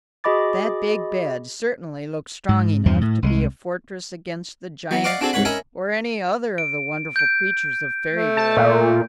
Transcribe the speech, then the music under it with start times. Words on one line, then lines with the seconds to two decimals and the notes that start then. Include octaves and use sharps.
That big bed certainly looked strong enough to be a fortress against the giants or any other of the wonderful creatures of fairy-world.
0.24 F#4 G#4 D#5 B5 D6 A6
2.49 G#2
2.86 E2 G2 F3
3.01 A2
3.23 C2 G3 G#3
4.91 F#3 B3
5.04 D5 D#5 F5 F#5 C#6 D6
5.21 C4 D4 F#4 G#4 A4
5.33 C2 G#2 B4 C#5 F#5 B5
5.45 C#4 A#4 D#5 E5 G#5 B5
6.58 D7
7.16 G6 D7
8.11 A3
8.37 A5
8.57 A#2